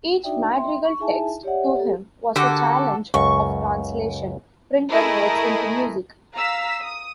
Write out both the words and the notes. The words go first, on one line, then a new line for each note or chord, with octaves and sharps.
Each madrigal text, to him, was a challenge of "translation": printed word into music.
D4 D#4 F#4 D5 E5 G5
E5 G5 C6
C#6
D#4 E4 G#4 E5 G#5 A5
G4 C#5 D5 E5 F#5
G4 A4
D3 A#3 F#4 G4 A4
C#2 F#2 C#6
A3 E4 G#4 A#4 D#5
F5 A#5 E6 B6
D#6